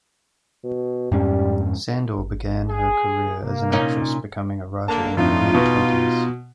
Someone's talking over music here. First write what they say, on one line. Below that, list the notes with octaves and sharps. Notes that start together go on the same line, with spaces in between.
Sandor began her career as an actress, becoming a writer in her mid-twenties.
B2
F2 G#2 G3 C#4
G#1
G#4
C3 A#3
A#2 C#4 D#4
D3 A#3 A5
F2 A2 D4 D#4 F4
B2